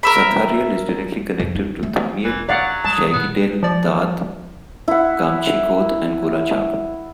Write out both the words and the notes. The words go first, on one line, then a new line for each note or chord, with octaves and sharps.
Sathariel is directly connected to Thamiel, Chaigidel, Da'at, Gamchicoth and Golachab.
A#4 E5 B5
F2
D#4
A3
F1 E3
D3 F#3 E4 D5 F5 F#5
G#3 A5 D#6
A#2 E3 B3
F3 D5
E4 F#5